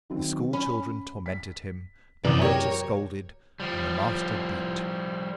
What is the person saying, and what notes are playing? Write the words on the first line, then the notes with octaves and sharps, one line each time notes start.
The school-children tormented him, the monitor scolded, and the master beat.
D#3 F#3 C4
C#4 B5
B6
F#2 C3 E3 F#3 D5 A#5 D6 D#6
F#3 G4 A#4 C#5
F3 G3